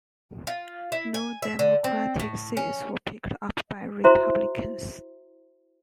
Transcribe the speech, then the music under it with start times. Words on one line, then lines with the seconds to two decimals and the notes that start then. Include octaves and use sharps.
No Democratic seats were picked up by Republicans.
0.47 F4
0.92 E4
1.14 G#5
1.42 E5
1.59 D3
1.84 C4
2.20 A2
2.57 C#4
4.04 E4 F#4 C5 E5 A#5 C6